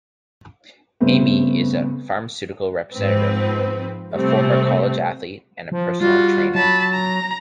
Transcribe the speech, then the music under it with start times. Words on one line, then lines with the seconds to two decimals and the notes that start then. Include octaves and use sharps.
Amy is a pharmaceutical representative, a former college athlete, and a personal trainer.
1.00 G2 C#3 A3 B3 C4
2.95 G#2 F3 C4 B4
4.14 C3 G3 A3 C4
5.72 F3
6.01 G3 F4 F#4
6.55 F#3 A5 B5
6.92 A#5